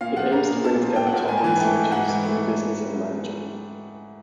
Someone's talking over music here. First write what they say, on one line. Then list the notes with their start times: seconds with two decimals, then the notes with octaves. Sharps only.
It aims to bring together top researchers in business and management.
0.01 A#2 F5
0.16 F3 F#5
0.32 A#3 A#5
0.49 A#2
0.64 A#2 A5
0.80 F3
0.96 A#3 G5
1.07 F#5
1.13 A#2 G5
1.28 G#2 G#5
1.37 A5
1.44 E3 G#5
1.60 A3 G5
1.76 G#2
1.92 G#2 F#5
2.09 E3
2.24 A3